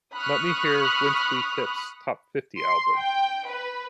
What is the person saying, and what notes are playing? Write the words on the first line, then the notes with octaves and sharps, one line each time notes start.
Let me hear Wintley Phipps top fifty album.
B5 C#6 D#6 F6 F#6
C6
G5
B4